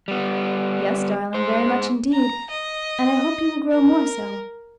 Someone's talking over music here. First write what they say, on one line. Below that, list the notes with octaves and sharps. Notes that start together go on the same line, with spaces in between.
"Yes, darling, very much indeed, and I hope you will grow more so."
G3 B3
G#3 C5
A#5
D#5
A#4